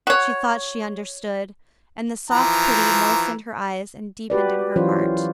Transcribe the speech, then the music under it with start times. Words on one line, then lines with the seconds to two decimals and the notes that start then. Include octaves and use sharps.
She thought she understood, and the soft pity moistened her eyes and deepened in her heart.
0.07 F#4 C#5
2.30 E3 F3 A#5
4.30 F#4 G4 B4 D5
4.76 E3 F#3 C#4 F4 C5 C#5